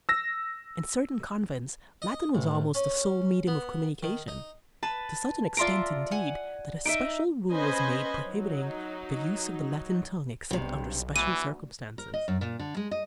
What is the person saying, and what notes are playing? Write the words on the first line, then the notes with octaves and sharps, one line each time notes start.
In certain convents Latin was almost the sole medium of communication,--to such an extent, indeed, that a special rule was made prohibiting "the use of the Latin tongue except under special circumstances."
E6 A#6
D#5
A1
C#4
B3
D#3
D#4
B4 A5
F4 D5 E5 A#5 C6 D7
F#5 G#5
D#4 D#5 E5 D7
C#4 B4 C5 D#5 G#5 B5
F#3 D#4
B1 G2 C3
D2 E3 D#7
A#4
D#5
F#2
A#2
D3
G#3
D#5